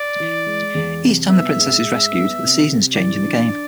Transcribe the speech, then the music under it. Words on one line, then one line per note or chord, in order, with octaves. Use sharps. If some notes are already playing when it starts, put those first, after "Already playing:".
Each time the princess is rescued, the seasons change in the game.
Already playing: D5
E3
G#3
E2
C3
B3 E5
G#2
G#2
B3
C3
C3
E3 D5
D4
D4